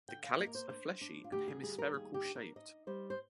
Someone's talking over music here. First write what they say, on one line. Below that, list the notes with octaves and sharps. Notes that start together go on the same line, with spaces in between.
The calyx are fleshy and hemispherical shaped.
D3 G5
F5
A#3 D#5
A#4
C5
D4 C5
D4
F4
D2 G4
G#4
G3 G#4
A#4
D#2 G#4
G4
D4
A#4
D#4 D#5
G3 C5
C5